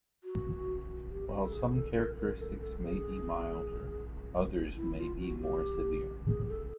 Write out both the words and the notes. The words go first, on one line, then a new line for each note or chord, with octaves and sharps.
While some characteristics may be milder, others may be more severe.
F#4
G4
G4
A4
G#4
A4
A#4
A#4
A4
A4
G#4
E4
F4
F#4
G4
G#4
A4